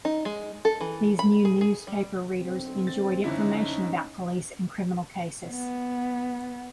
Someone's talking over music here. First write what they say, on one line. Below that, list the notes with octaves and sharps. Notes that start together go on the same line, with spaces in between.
These new newspaper readers enjoyed information about police and criminal cases.
D#4
G#3
A4
E3
B5
G#4
G#4
G3
B1 D3 C4
A6
F#1 D3 C#4 D#4 E4
B3